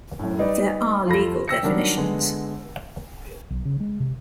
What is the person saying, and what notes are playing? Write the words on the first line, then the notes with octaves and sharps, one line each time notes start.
There are legal definitions.
F#2 A2
G3 D#4 B4 D5
F2 F4 A4 B5 A#6
G5 E6 A#6 C#7
D#3 F#3 G3 D4 A#4
D3 G#3 B3
B1
C#3
G#3
C3